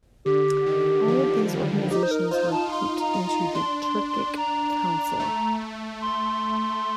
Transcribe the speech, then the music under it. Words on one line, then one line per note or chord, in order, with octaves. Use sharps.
All of these organizations were coopted into the Turkic Council.
D3 G4
D#3
F3
G3
D#4 G4
C5
A#4
F4 C5
A5
F4 C6
A#5
D#4
A#5
D4 C6
C6
C6
A#5
A3
C6